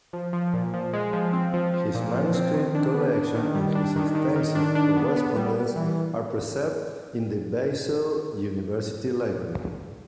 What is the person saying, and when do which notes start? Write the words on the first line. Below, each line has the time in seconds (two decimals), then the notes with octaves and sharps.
His manuscript collection and his extensive correspondence are preserved in the Basel University Library.
0.13 F3
0.33 F3
0.54 A#2
0.74 F3
0.93 G#3
1.13 F3
1.33 C4
1.54 F3
1.74 F3
1.94 A#2
2.14 F3
2.34 C4
2.54 D#3
2.75 D4
2.94 B3
3.14 D4
3.35 D#3
3.54 G3
3.75 D4
3.96 D#3
4.15 D#3
4.35 D#3
4.55 D4
4.75 D4
4.96 B3
5.16 B3
5.36 G3
5.57 G3
5.76 E3